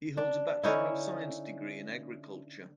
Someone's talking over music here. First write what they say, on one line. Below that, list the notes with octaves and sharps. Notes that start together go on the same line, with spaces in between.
He holds a Bachelor of Science degree in Agriculture.
D4
D3 C#4 D#4 E4